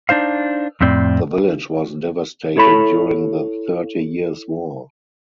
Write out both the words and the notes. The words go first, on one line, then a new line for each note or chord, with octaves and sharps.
The village was devastated during the Thirty Years' War.
D4 D#4 C5 F5
F2 A2 C4 D5
E4 A4 C#5 B5